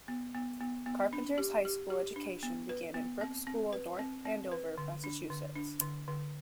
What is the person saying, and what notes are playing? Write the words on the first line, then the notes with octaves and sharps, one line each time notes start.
Carpenter's high school education began in Brooks School North Andover, Massachusetts.
B3
B3
B3
B3
D4
G4
G4
G4
D4
B3
B4
B3
C4
C4
B4
C4
C4
B4
D3
D4
D3
D4
D3
D3